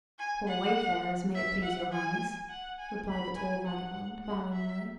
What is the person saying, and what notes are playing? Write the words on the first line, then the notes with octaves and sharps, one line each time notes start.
"Poor wayfarers, may it please your highness," replied the tall vagabond, bowing low.
G#5
F#5
E5
F#5
G#5
F#5
G#5
B5
G#5
F#5
F#5
E5